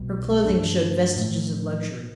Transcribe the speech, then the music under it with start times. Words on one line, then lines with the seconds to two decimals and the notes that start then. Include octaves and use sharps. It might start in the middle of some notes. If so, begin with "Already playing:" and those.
Her clothing showed vestiges of luxury.
Already playing: C2 B2 G3
0.45 G2 F3 A3 D4
1.16 A2 F3 A3